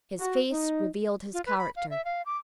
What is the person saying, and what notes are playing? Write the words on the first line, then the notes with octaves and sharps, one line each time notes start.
His face revealed his character.
F#4
D#4
F4
B4
B5
F5
E5
F5
D6